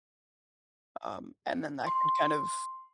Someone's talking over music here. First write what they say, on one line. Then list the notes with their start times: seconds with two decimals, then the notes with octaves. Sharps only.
um, and then that could kind of
1.87 C6